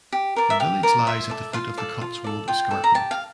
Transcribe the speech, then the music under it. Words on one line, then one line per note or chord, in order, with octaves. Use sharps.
The village lies at the foot of the Cotswold escarpment.
G4
A#4 D5
E5
G4 F5
A#4 D5
F4 E5
A4 D5
F4 F5
A4 D5
F4
A4 D5
F4 G5
A4 D5
A#5
G4 A5
F5